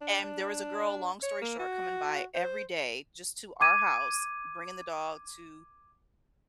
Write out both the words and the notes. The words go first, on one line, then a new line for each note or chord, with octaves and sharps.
And there was a girl, long story short, coming by every day just to our house, bringing the dog to,
D4
C#5
A#3
F#4
C5
D6 G#6 D#7